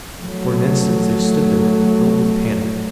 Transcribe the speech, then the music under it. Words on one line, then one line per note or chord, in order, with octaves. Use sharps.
For an instant they stood there, filled with panic.
F#3 A3